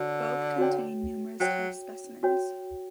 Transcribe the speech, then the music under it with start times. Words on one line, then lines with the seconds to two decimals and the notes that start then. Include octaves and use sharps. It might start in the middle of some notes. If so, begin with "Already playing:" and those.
Both contain numerous type specimens.
Already playing: D3 F#4 C#5
0.58 F#4 C#5 G5
1.40 F#3 F#4 C#5 G5
2.23 F#4 C#5 G5